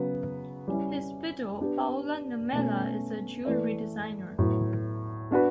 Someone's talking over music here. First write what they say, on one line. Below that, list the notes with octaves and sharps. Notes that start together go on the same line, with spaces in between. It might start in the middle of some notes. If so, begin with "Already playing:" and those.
His widow Paula Nummela is a jewellery designer.
Already playing: C#3 F#3 B3
G3 C#4 E4
B3 D4 G4
B2 A3 C#4
E3 A3 E4 B4 D5
A2 F#3 B3
B3 D4 F#4 B4